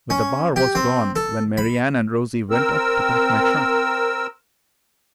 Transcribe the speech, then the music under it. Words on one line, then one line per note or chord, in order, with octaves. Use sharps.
"But the bar was gone when Mary Anne and Rosie went up to pack my trunk."
C#4
G4
C4
A4
B5
C4 A#4 E6